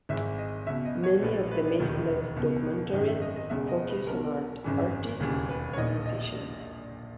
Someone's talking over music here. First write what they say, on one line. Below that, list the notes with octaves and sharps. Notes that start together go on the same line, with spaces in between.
Many of the Maysles' documentaries focus on art, artists and musicians.
G#1 G#2 E3 E5
D#5
C#2 B2 E5
D#5
C#5
A#1 A#2 B4
B4
E1 D#2 D#3
C#2 B2
G#1 F#2 D#3 D#5
E5
D#5
D#5
E1 E2 C#3 E5
D#5
B4
B1 B2 A#4
G#1 F#2 C#3 E3
E1 D#2 C#3 E3
B4
C#5
A#1 A#2 D#5
D#5